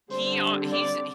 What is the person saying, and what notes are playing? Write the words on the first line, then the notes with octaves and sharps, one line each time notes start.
He, uh he's
D3 G3 C4 C5
D5